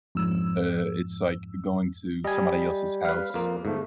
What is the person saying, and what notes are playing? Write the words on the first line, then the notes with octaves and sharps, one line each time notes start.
Uh, it's like going to somebody else's house-
F2 G#2 E6
G3 D#5 G#5
B4 F5
F2 A#3
G1 G#2 A3